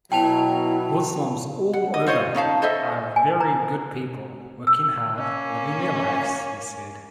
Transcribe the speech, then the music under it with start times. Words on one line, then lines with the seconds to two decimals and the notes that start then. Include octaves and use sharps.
'Muslims all over are very good people, working hard, living their lives,' he said.
0.12 B2 F#3 E4 G5 A5 F7
1.73 F#5
1.94 D#5
2.06 F4 C5 C#5 D#5
2.35 C#4 D#4 F5 A5
2.62 A4 C5 D#5 E5
3.16 G#5
3.41 A#5
4.67 E6
5.16 A#3 C#4